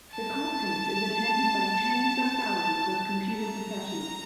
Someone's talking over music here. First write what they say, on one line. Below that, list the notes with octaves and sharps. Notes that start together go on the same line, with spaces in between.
The conference is attended by tens of thousands of computer professionals.
A5
A#5